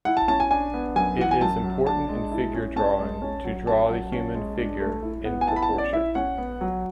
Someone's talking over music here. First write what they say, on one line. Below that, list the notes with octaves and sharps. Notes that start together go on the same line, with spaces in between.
It is important in figure drawing to draw the human figure in proportion.
E4 F#5
A5
C#4 A5
G#5
D4 G#5
B3
F#2 G#5
E3 F#5
G#5
F#2 A5
F#3
D4 A5
G#3
E4
C#4
C#4 A5
G#3
C#4
F#3
C#4 A5
F#3
C#4
G#3
D4
A3
E4
B3
G#5
E4 A5
B5
A5
C#4
D5
E4 E5
C#4 F#5
B3
F#3